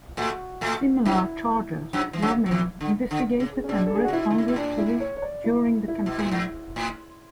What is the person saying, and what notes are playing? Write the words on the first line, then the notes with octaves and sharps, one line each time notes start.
Similar charges were made, investigated and responded to during the campaign.
A2 A3 F#4
A2 A3
F#2 F#3 E4
F#2 F#3
E3
F#2 F#3
F#3
E2 E3
D3
D3
C#3
C#4
B2 D4
A4
G#4
F#4
C#3
B2 E4
D3
C#3
B2
A2 D4
E4
C#5
C#5
D5
E4
E4
B2
A2
G#2
A2